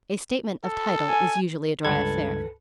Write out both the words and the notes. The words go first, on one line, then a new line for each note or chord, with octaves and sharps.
A 'statement of title' is usually a dry affair.
A4
G#5
C#2 G2 A4 B4 G#6